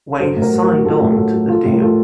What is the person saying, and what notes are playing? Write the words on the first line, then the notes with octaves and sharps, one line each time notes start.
Wayne signed on to the deal.
F#3 A4 C5
A2
F#4 A#4
F#3
F#4 A#4
F#3
F#4
A2 F4 A4
A2
A4
A2 F#4 A#4
F#3
F3 F4 A4
A2
A#4
F3 F4 A4